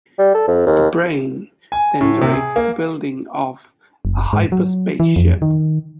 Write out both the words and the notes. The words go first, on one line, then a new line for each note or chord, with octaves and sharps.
"The Brain" then directs the building of a hyperspace ship.
G3
A4
F2
D#2
G#5
A2
C3
G#4
A#3
F#1
G#2
F#3
E3
F2
D#3